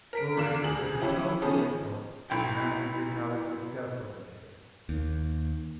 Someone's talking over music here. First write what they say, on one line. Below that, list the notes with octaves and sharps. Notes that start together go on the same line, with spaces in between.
Already, with a powerful effort, the man had recovered his self-possession.
A#4 B6 D7
E2 D5 F5 E7
D2 G#4 F#7
E3 C#4 E4 G4
D#3 F3 B3 C#4 G#4
B1 E4 G5
D#2